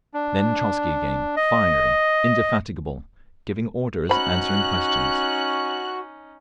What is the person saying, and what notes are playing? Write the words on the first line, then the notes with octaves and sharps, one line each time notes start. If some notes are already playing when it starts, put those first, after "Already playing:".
Then Trotzky again, fiery, indefatigable, giving orders, answering questions.
D4
D#5
C#4 D#4 F#4 C5 B5 F#6